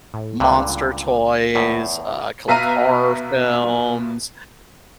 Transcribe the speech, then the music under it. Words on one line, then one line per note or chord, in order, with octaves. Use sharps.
monster toys, uh, I collect horror films,
A2
C#2 G2 A#2 D3
E2 A2
B2 B4 E5 F5 A#5 D#7